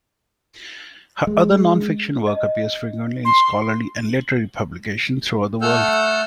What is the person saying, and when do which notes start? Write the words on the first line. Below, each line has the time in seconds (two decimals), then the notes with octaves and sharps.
Her other nonfiction work appears frequently in scholarly and literary publications throughout the world.
1.27 G#3
2.27 D#5 A5
3.25 C6
5.62 A3 A4 F#5 E6 F6 G6